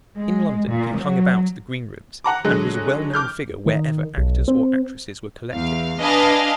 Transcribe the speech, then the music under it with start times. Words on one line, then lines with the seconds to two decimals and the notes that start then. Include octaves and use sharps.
In London he hung about the green-rooms, and was a well-known figure wherever actors or actresses were collected.
0.16 G#3
0.69 A#2
0.98 F#3
2.24 F#5 A#5 D6
2.44 D3 F#3 G#3 F#4
3.14 D6 F6 G6
3.66 D#3
4.17 B1
4.48 C4
5.53 E2 F5
5.99 D4 B4 D#5 F5 G#5 A5